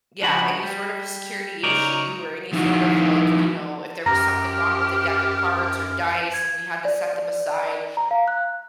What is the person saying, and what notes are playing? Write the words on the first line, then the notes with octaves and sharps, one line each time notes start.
Yeah, any sort of a security issue or any sort of, like, you know, if there was something wrong with a deck of cards or dice and we had to set them aside,
C#2 F3 D4 F#4 B5
G3
C#2 F#3 D#4 A#4 C#5 D5
F3 D#4 E4 F#4
F#2 G4 A#5 F6 A#6
G#6
D5
D5
A#5
F5
F#6